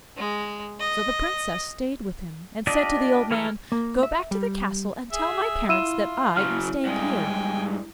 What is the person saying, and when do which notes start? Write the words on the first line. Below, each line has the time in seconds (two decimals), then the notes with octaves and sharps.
So the Princess stayed with him, and said to the old man, 'Go back to the castle and tell my parents that I am staying here.'
0.17 G#3
0.80 D#5
2.67 D4 F4 G4 D5 D#5
3.31 E3 G#3 A4 A#4 F6
3.72 A#3
4.03 E5
4.31 G3
5.12 G#4 E5
5.69 E4 F4 E6 D#7 E7
6.37 C#3 F#3 F6
6.85 G2 G#3 G5 G#5